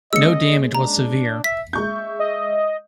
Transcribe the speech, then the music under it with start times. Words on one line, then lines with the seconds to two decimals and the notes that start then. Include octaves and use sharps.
No damage was severe.
0.13 G#3 A#3 C#4 D#5 E6 C#7
0.75 D4 A#5
1.44 E5 B6
1.73 G#3 E5 C#6 G6
2.19 D#5